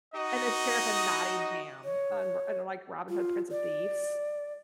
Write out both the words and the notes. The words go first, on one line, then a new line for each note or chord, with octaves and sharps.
and the Sheriff of Nottingham on Ro on, like, Robin Hood: Prince of Thieves.
D#4 F#4 D#5
C#5
F4
D5